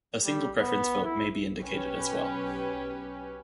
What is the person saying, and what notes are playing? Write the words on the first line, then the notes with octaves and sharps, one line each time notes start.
A single preference vote may be indicated as well.
G3
B3
E4
B1 C#4 G4 B4